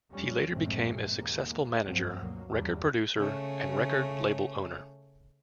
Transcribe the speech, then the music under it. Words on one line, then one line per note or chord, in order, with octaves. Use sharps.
He later became a successful manager, record producer and record label owner.
F2 G3 C#4
A#1 E2 G2 G#3 A3 C4
D#2 G#3 A#3
C2 G2 F3 F#3 A3 C4
D2 G2 B2 F#3 A#3
E2 G2 C#3 F#3 G3
C#3 A3 C#4